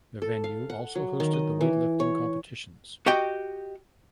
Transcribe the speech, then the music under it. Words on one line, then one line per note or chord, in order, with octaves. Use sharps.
The venue also hosted the weightlifting competitions.
A4
F5
F#5
F#3
D#3
D#5
E3
C#5
F#4 G4 D#5 G5